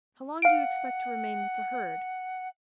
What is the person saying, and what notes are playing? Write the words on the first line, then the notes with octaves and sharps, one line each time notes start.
How long do you expect to remain with the herd?
F5 F#5 D7